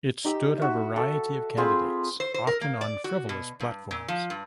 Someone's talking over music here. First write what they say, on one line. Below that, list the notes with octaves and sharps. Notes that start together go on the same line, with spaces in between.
It stood a variety of candidates, often on frivolous platforms.
D#4 G4 E6
F#4 E5
A4
C4 F4 G#4 B5
C5
C5
A#4
A#3
D5
F#4
B2
G2
A#2
F3
G2